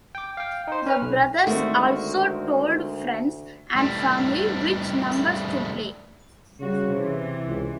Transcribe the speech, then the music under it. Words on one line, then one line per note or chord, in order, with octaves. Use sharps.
The brothers also told friends and family which numbers to play.
G5 D6
F5 G5
D#4 C5
C#4 B4 F6
B1
D2 D#3 G#3 A3 C4 F#4
A2 G3
C#3 G3 F#4
C3 E3
C#2